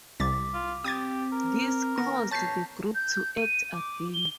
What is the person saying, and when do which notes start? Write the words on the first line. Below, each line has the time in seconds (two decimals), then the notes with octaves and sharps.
This caused the group to act again.
0.20 C2 D6 A6 B6
0.54 F4
0.84 C4 G4 D#6 G#6 A6
1.33 A#4
1.98 D#3 B3 C4 F#5 A#6
2.31 A1 C#5 A5 G6 A6 B6 C7
2.95 G6
3.36 D#7
3.73 D6
4.14 G7